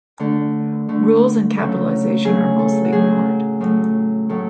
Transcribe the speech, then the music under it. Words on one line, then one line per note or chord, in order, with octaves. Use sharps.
Rules in capitalization are mostly ignored.
D3 A3 A4
D3 A3
C#3 F#3 A3
C#3 F#3 A3 G#4
A4
F#4
A2 F#3 A3 G#4
A2 F#3 A3
A2 F#3 A3 A4